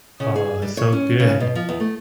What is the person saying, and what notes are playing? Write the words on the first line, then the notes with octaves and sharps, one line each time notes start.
Oh, so good.
C#3
G#4
G3
C#5
C#4
C#3
B2
F3
E2
A3